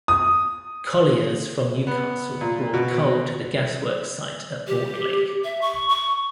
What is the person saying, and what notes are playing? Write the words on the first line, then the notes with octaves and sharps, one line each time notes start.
Colliers from Newcastle brought coal to the gasworks site at Mortlake.
D#6
B3
A#2
B2
G4
E5
C#6
C#6